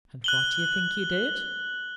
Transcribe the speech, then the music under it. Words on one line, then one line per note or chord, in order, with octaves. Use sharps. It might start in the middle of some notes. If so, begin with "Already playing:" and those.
And what do you think he did?
F#6 F#7 G7